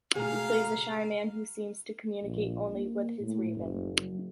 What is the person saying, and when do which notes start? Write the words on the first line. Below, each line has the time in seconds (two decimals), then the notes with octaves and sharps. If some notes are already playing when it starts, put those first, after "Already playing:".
He plays a shy man who seems to communicate only with his raven.
0.15 C#2 B2 A3 G#4 F5 A#5
2.23 A#1
2.74 A#3
3.21 A2
3.56 F#1
3.99 F#3